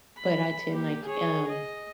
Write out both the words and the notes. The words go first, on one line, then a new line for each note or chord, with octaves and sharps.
But I tend like um,
B5
A#3 G4
G#4 C#5
D#5